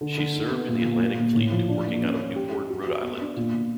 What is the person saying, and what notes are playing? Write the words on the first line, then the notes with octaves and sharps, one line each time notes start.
She served in the Atlantic Fleet working out of Newport, Rhode Island.
D3
D3
D#4
B3
A#2
A#2
A#3
A#2
A2
F3
D4
A#3
C#4
C#4
G4
G4
F#4
F#4
B3
D4
A#2
A#2